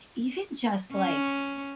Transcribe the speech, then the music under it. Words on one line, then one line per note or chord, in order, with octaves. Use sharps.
even just like,
C#4